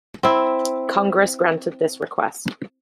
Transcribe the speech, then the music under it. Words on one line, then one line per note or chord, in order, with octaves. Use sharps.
Congress granted this request.
C4 E4